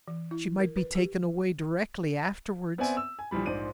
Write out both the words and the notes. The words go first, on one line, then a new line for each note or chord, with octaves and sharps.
She might be taken away directly afterwards.
E3
E4
A#4
B4
G4
B3 C4 D5 E5 G#5
E6
G#5
A#1 E3 G3 B5
A#1 G#2 C5 D5 D#7